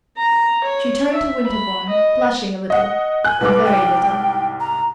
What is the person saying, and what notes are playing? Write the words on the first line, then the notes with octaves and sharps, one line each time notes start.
She turned to Winterbourne, blushing a little--a very little.
A#5
C#5
E5
B5
D#5
D#5 F#5
G#5 F#6
C2 G#2 B4 D6
G5
A#5